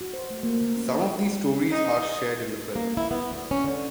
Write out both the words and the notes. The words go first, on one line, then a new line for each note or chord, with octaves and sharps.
Some of these stories are shared in the film.
F#4
C5
A3
A#3
D3
C#4
D#4
A#3
E4
B3
D2
C#4
D3